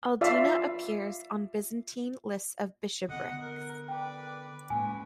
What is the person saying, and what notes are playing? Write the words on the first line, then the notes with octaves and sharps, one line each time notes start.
Alinda appears on Byzantine lists of bishoprics.
F4 D5 E5 F5
D3 B3 D#5 F#5
A#4
B4 D5 G5
A2 G#3 A#3 C#4 B4 G#5